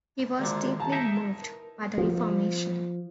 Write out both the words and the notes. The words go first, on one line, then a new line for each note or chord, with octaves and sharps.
He was deeply moved by the Reformation.
A#1 A#2 D3 D#3 G#3 F#4
D#3 E3 A5 A#5
D#4 E4 G4 C#5 E5
A#4 B4
F3